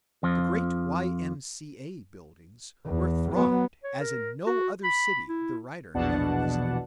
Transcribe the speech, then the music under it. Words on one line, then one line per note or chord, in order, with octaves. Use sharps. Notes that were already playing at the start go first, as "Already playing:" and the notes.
The great Y. M. C. A. buildings were thronged as in no other city the writer ever visited.
F2 F3
E2
F#3 B3
C#5
A#4
F#4
B5
E4
A#1 E2 B2 D4 F#5 A5